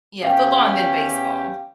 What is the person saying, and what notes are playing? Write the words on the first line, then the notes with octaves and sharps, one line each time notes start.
yeah, football and then baseball.
E2 C#4 G4 F5 G5